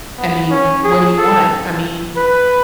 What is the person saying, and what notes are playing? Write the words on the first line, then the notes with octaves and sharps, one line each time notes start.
I mean, what do you want? I mean,
B3
C#4
G#4
A4
B4